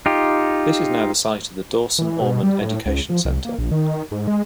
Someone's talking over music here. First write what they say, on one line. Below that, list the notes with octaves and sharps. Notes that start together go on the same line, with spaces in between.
This is now the site of the Dawson Orman Education Center.
D#4 F4 G4
E3
B2
G3
A2
C#2
F3
C2
A#3
A#1
D#3
G#2
G#3